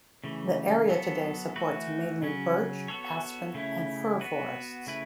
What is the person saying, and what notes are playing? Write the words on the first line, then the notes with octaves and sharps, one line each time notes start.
The area today supports mainly birch, aspen, and fir forests.
C#3 E3 A3
F#3 B3 A4
E3 A3 F#4 B4
C#3 F#3 C#4
B3 F#4 A4 C#5
C#3 A3 C#4 E4
B3 F#4 B4
C#3 A3 E4 B4